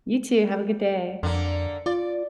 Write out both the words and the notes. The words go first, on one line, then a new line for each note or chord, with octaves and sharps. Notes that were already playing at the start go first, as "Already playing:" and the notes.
You too, have a good day.
F2 D3 A#3
F4 D5